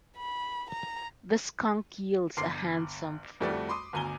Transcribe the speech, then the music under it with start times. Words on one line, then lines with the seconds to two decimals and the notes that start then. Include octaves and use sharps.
The skunk yields a handsome fur.
0.17 B5
0.70 A#5
2.37 G1 C6 D6 C7
3.40 F2 G3 A3 F#4 D5
3.69 B5 C6 D6 D#6
3.93 G1 D2 G#5 A#5 G7